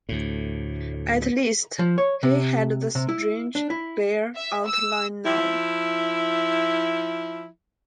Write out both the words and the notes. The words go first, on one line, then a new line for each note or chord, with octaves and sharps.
At least he had the strange, bare outline now.
D2 A2
F3
C#5
C3
C3
E4
D4
E4
E5
E6
F3 E4